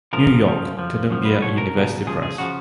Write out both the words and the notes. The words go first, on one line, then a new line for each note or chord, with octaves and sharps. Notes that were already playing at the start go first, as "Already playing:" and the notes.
New York: Columbia University Press.
C#2 C#3 F3 A#4
F#2 C#3 F3
F2 F3
F#2 C#3 F3
B4
B1 B2 C#5
A#4
C#2 B2
C#2 C#3 F3 G#4
G#4
C#3 F3 F#4